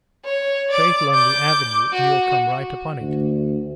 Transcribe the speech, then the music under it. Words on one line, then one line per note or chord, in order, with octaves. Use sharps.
Straight along the avenue and you'll come right upon it.
C#5
D5 D6
D6 G6
F#4
D2